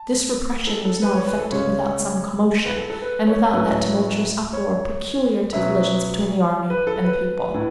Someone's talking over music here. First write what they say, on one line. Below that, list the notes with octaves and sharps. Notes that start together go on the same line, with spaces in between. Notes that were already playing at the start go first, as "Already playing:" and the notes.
This repression was not effected without some commotion, and without that tumultuous uproar peculiar to collisions between the army and the people.
Already playing: A5
A4
A4
B4
C#5
B4
A4
C#3 G#3 C#4 C#5
B4
A4
A4
B4
C#5
A2 F#3 A3 C#4 B4
C#5
B2 F#3 C#4 E5
B4
A4
B4
A2 E3